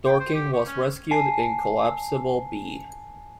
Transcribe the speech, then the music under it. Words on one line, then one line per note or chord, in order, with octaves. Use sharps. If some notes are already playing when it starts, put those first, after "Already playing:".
Dorking was rescued in Collapsible B.
G5
C5
G4
C#6
C#4
G#5 A5 C7